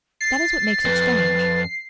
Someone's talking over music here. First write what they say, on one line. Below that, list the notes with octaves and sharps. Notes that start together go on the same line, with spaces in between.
That is what makes it strange.
A6 C7
F2 B4